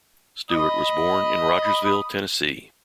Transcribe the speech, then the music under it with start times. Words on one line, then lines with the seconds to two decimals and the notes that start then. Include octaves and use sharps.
Stewart was born in Rogersville, Tennessee.
0.50 D#5 B5 D#6